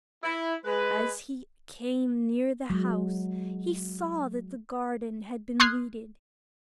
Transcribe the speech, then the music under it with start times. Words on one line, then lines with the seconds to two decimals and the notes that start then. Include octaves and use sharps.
As he came near the house, he saw that the garden had been weeded.
0.24 E4
0.65 G#3 B4
2.70 F#3 G#3
5.60 C6 D#6 F6 F#6 G#6 C7